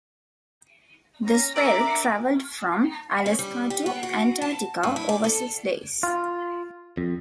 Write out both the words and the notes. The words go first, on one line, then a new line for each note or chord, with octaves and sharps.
The swell travelled from Alaska to Antarctica over six days.
C#4 A#5 A#6
D4 A#4 D5 E5 A#5 D6
C#4
G3
G4
B3
F#4
A5
G2
E4
D5
A4
F4
F2